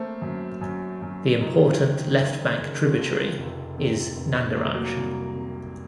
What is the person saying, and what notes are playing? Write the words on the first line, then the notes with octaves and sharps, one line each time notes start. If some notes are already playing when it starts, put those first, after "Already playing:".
The important left bank tributary is Nandiraj.
Already playing: A3 A#3 C4
F#2
F#2
F#2
F#1 D#4
F4
C4 D#4
D#3
F#1
F#1
F#4
C3 F4 A4
F1
C3
F1
C3 A#3
A3
F#3 A#3
C2
C3